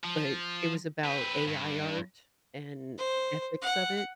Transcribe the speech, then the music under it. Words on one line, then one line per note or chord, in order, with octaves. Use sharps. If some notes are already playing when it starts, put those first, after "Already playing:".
but it was about AI art and ethics of it.
F3
C4 B4
G2
C5
F#5